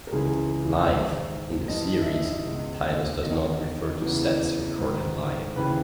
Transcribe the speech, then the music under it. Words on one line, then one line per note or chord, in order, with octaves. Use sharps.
'Live' in the series' titles does not refer to sets recorded live.
A#4
C#2 C#3 E3 G#4
G#2 D#3
G2 E3 D#5
E5
D#5
D#5
C#2 B2
E2 D#3 D#5
E2 C#3 E3
G#2 D#3
D#2 C#3 E3 B4